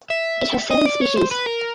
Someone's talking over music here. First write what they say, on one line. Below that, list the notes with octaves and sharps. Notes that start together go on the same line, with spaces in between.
It has seven species.
E5
D#5
D5
C#5
C5
B4
A#4